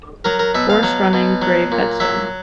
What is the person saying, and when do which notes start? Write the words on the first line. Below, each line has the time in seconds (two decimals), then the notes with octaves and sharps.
Horse running, grave headstone.
0.25 F#3 A#4
0.39 A#4
0.55 B2 E5
0.70 F5
0.83 F#3
1.13 B2
1.42 F#3
1.72 A#2
2.00 F#3 E5